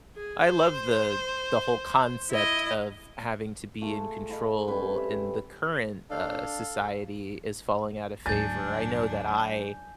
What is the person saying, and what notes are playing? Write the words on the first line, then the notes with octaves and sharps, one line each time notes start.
I love the the whole concept of having to be in control in the current, uh, society is falling out of favor. I know that I
G#4
C5
E4 D#5
A3 F4 G#4 A4
D#5 F5 B5 C#6
G3 C4 C#4 B4
E5
D4 A4 F5
D2 G#2 F#3 D4 G#5 G6 A6